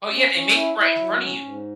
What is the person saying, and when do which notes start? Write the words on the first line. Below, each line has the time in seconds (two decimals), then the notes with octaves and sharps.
Oh, yeah. They make it right in front of you.
0.09 C#4
0.31 C#4
0.53 E4
0.74 E4
0.96 F#3
1.18 C#4
1.40 G#2